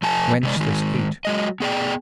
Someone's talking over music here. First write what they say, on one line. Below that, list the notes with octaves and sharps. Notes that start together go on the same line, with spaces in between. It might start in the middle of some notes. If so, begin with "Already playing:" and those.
Whence this heat?
F3 A3 G#5 A5
C3 G#3 D5
D#3 G#3
F#3 G#3 D#5
B3 G#4 D5 G5